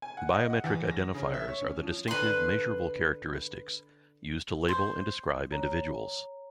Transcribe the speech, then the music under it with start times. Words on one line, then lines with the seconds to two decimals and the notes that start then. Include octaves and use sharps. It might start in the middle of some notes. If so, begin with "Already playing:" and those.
Biometric identifiers are the distinctive, measurable characteristics used to label and describe individuals.
0.02 G#5
0.17 F#5
0.33 D#5
0.50 F#5
0.64 E2
0.91 A#6
1.14 C#3
1.34 E5
1.48 C#5
1.62 C#4
1.83 F3
2.08 D3 B4 C5 C6 C#6
4.68 C5
5.52 C#5 A#5